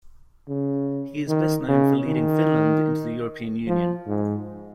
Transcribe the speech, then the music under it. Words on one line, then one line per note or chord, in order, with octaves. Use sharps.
He is best known for leading Finland into the European Union.
C#3
D#3
C#3
D#3
F3
G#2